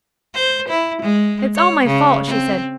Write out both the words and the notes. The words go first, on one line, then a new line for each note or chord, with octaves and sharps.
'It's all my fault,' she said.
C5
E4
G#3
C#5
C#3
C4